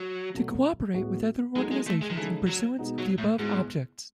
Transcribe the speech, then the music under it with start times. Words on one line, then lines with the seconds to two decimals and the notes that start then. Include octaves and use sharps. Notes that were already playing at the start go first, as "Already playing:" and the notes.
To co-operate with other organisations in pursuance of the above objects.
Already playing: F#3
0.34 B2 F#3 A3
0.95 A2 G#3 B3 F#4
1.56 F#3 G#3 B3 D#4 A4
1.71 G#3
1.87 A3
2.01 G#3
2.10 D#3
2.16 C#3 E3 G#3 D#4 A4
2.47 F#3
2.79 B2 G#3 B3 D#4
2.98 F#3
3.18 A2
3.39 G#2 G#3 B3 E4 G#4